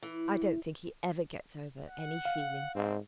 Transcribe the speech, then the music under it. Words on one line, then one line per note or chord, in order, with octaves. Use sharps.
I don't think he ever gets over any feeling.
E3
F#5
F5
G#2 C4